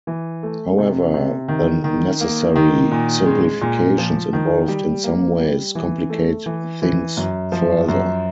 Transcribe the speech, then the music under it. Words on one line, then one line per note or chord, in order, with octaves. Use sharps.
However, the necessary simplifications involved in some ways complicate things further.
E3
A3
C3
C3
D#3
D#3
A#3
D#3
A#2
G#3
A#2
F3
D#3
G3
A#3
G3
E3
A3
E3
E3
F#2
F3
F#2